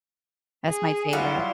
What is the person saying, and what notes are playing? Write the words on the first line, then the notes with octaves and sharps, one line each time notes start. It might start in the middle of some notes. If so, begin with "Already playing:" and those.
That's my favorite.
G#4
F#3 G3 E4 F4 C6